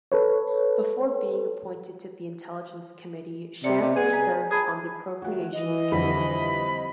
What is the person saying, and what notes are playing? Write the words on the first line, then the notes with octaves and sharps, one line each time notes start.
Before being appointed to the Intelligence Committee, Chandler served on the Appropriations Committee.
A4 B4 C#5
C3 D5 C#7
C3 D#5
G#4 B4 D#7
G#5 A#5 B6
G#4 A5 B5 D#6
D#3 A3 F4 F#4 F#5
E3 D#5
F2 D3 G3 B5